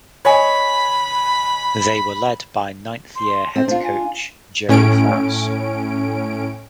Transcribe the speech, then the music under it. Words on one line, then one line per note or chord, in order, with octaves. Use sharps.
They were led by ninth–year head coach Gerry Faust.
C#5 D#5 G#5 B5
C6
C4 C5
D4 F4
G#5
A2 C#4 D7